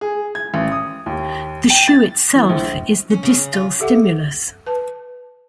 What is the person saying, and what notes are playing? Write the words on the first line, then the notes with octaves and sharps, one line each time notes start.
The shoe itself is the distal stimulus.
G#4
G#6
A1
D#6
D#2
G5
A6
E3
A#1
C#4
C#3
F4
G4 A4 E5 F#5 D6
B4 A5